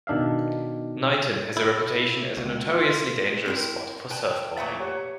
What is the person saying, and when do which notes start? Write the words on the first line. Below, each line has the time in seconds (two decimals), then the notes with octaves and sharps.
Niton has a reputation as a notoriously dangerous spot for Surfboarding.
0.07 B2 D#3 D4 E5 F5
1.57 E4
2.37 C#2
2.71 F4
3.46 C4 E4 A#4
4.10 B4 G5 A5
4.57 A#2 A3 E5 F#5
4.80 G4 C#5 F#5